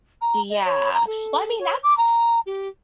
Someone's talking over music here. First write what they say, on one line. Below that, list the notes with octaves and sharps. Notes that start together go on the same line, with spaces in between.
Yeah. Well, I mean, that's
A#5
D#5
C#5
A#5
A4
C#5
D6
A#5
G4